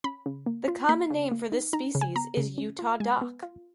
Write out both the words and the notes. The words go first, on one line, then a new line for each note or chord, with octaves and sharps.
The common name for this species is Utah dock.
C#4 B5
C#3
A#3
F4
A#3 B5
C#3
A#3
D#4
D#4 A#5
C#3
G#5
B3 A#5
C#3
C#4
F4
G#3 G#5
B3
F4